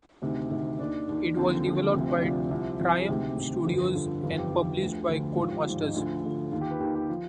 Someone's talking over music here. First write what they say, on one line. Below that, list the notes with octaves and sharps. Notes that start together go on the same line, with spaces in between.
It was developed by Triumph Studios and published by Codemasters.
D2 C3 D#3
D2 C3 D#3
D#2 D#3 D4
D#2 D#3
D#2 D3 F3 C4
D#2 D3 F3
D2 C3 F3 C4
D4
D2 C3 F3 F4
C2 C3 F3
C2 C3 F3
C5
G#4
D2 C3 D#3 G4
D2 C3 D#3
G1 F2 D3 F3
G1 F2 D3 F3
G1 F2 D#3 F4
G4
G1 F2 D#3 B4
G4
D2 D3 F3
D2 D3 F3
G#1 G#2 F3 F4
G4
G#1 G#2 F3 F4
D#4
D2 D3 F3 F4
D2 D3 F3
D#2 D#3 F4
G4
B4
D#2 D#3 G4
G4
F3 F4